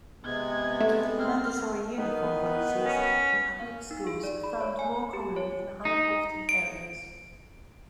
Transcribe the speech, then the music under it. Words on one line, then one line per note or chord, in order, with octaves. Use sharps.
Mandatory uniform policies in public schools are found more commonly in high-poverty areas.
C3 G#3 B3 G#6
A3
C4 F6
D#3 B3 B4
C#4
F5
D#4
G#4
D5
B5
C#5
G#5
G4
C#5
D#4
D7